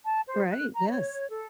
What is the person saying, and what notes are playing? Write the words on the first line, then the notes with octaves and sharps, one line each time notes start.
Right, yes.
A5
C5
F#6
A#5
C#5
A4